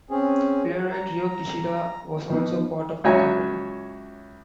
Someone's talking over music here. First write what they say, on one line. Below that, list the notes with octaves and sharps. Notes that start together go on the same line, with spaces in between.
Playwright Rio Kishida was also part of the company.
C4 C#4 G#4
A#5
F3 B3 D#4
C#2 F#3 C#5 E5 G#5